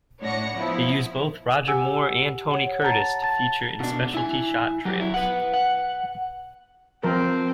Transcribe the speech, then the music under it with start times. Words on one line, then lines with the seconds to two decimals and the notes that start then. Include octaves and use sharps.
It used both Roger Moore and Tony Curtis to feature in specialty shot trails.
0.22 A2 D4 C#5 F#5 A#6 C#7
0.56 F3 B3 E4
1.68 G4 F#5 G#5 E6
2.51 C#5 F#5
2.82 F#5 A5 A#5 A6
3.22 A5 A6
3.80 B2 D4
4.14 E4 G#5
4.85 F#3 G4
4.98 F#2 E4
5.14 B4 F#5
5.54 F#5
7.03 F3 C4 A#4